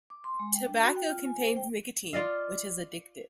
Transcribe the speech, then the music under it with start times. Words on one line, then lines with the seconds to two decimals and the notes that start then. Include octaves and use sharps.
Tobacco contains nicotine, which is addictive.
0.10 D6
0.24 C6
0.39 G#3
0.54 G5
0.66 D4
0.82 F#4
0.96 G5
1.10 F4
1.26 G#5
1.41 C5
1.57 G5
2.13 F4 D5 D#5 F5